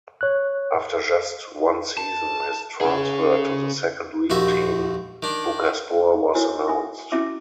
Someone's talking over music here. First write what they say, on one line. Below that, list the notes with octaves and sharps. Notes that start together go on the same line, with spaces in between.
After just one season, his transfer to the second league team Bucaspor was announced.
C#5 F#6
A5
C#4 G#4
A#1 D#2 F#4 E5
D#3 D4
E4 F#4 A#4 C5 C#5 G#5
E5 G#5 D#6
C#4 E4 F#4 E5 D6